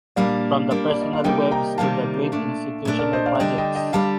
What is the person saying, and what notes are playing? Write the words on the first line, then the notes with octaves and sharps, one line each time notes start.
From the personal webs to the great institutional projects.
A#2 G3 A#3 D4 D5 F5
A#2 G3 A#3 D4
D5
D#5
F5
C3 D#3 G3 A#3 D#4 D#5 G5
G5 A#5
C3 D#3 G3 A#3 D#4 F5 A5
A#2 A3 D4
A#2 A3 D4
A#4 D5
C5 D#5
D5 F5
D3 G3 D4 D#5 G5
D#5 G5
D#5 G5
D3 G3 D4 F5 A5